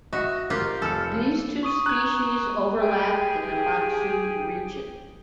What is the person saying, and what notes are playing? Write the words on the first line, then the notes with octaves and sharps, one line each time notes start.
These two species overlap in the Matsu region.
F#4 D#5 E5 F#5
F4 G4 A#4
F1 A4 F6 C#7
C#6 D#6 D#7
A#5 F#6 G#6
G4 G#4 G5